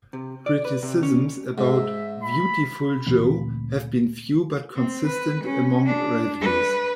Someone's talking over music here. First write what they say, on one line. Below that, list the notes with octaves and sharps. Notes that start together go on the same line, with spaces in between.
Criticisms about "Viewtiful Joe" have been few but consistent among reviews.
C3
D5
B4
C3
C#4
G#2 E5
B5
D2 A#2 E3 C4
C4
B4
C#4
D4
B4